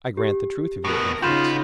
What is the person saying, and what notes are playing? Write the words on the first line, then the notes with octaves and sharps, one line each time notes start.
I grant the truth of your inference.
G4
A2 B3 A#4
C#3 D#4 F4 F#4 B4 G6 E7